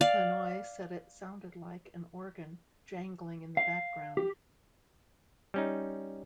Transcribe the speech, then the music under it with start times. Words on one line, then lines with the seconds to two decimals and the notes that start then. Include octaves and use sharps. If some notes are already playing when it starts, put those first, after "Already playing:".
Lanois said it sounded like an organ "jangling in the background".
0.01 D5 F5
3.57 F5
4.17 G4
5.54 G3 C#4 D#4